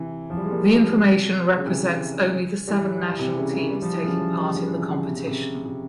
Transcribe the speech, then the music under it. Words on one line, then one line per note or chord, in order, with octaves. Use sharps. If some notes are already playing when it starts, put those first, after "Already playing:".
The information represents only the seven national teams taking part in the competition.
Already playing: C3 E3
F3
G3
G#3
G3 A#3
F3 G#3
C3
C#3
C3 E3
E3 G3
C3 E3
C#3
C#3
G3
F3
E3
C#3 F3
E3 G3
C#3 F3
C3 E3
C#3
C3
C#3
C3
C3